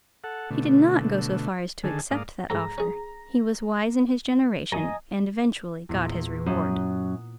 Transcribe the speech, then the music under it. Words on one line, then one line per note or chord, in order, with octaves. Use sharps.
He did not go so far as to accept that offer: he was wise in his generation, and eventually got his reward.
A4 F#5
B2 D3 A3
D3 D#3 G#4 A4
G#2 A#3 D5 F5 D#6
G#2 A4 G5 A#5
C#4 G#4
F#2 D#5 G#5 A#5
E2 A#2
F#2 A#5 D#6 F#6